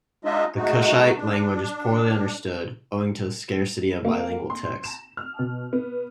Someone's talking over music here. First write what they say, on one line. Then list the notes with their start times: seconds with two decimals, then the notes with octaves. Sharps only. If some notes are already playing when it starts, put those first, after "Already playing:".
The Kushite language is poorly understood, owing to the scarcity of bilingual texts.
0.25 G#3 D4 D#4 F4 D#5 E5
0.56 G#3 A3 D#4 F#4
1.16 D4
4.05 A#3
4.50 C6
4.84 E7
5.17 F6
5.39 B2
5.73 B3